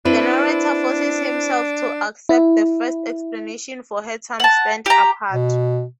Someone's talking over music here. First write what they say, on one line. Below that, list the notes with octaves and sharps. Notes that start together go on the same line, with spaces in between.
The narrator forces himself to accept the first explanation for her time spent apart.
C4 D4 E4 B4
E4
F#5 A5
G4 A#5
B2